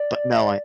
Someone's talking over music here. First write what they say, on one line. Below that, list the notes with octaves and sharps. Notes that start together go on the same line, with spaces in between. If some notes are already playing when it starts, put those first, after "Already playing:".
but no, I
Already playing: D5
D#5
D5